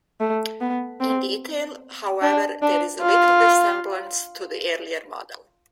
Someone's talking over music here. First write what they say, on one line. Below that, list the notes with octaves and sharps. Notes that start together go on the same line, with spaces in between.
In detail, however, there is little resemblance to the earlier model.
A3
B3
C4
D4
D4
F4